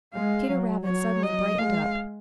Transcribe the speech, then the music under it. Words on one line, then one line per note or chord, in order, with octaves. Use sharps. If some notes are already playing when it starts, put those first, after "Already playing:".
Peter Rabbit suddenly brightened up.
G#3 F5
F#3
F#3 C#5
D#5
G#3 F5